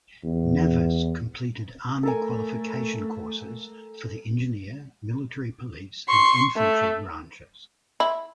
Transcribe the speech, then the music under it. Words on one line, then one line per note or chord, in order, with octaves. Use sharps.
Navas completed Army qualification courses for the Engineer, Military Police, and Infantry branches.
E2
A3 A4 A#4 G#5
C6 C#6
A3
E4